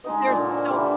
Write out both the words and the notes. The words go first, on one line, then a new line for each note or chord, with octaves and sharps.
'cause there's so
G#3 D#4 D#5
A#2 D3
A#4 C5 C#5
D3 E3 G3 A#3